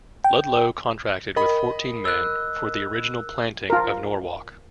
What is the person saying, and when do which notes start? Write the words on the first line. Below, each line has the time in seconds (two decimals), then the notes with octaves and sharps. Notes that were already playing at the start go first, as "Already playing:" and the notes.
Ludlow contracted with fourteen men for the original planting of Norwalk.
0.24 G5
1.36 A#4 D#5 B5
2.05 E6 F#6
3.70 F4 A#4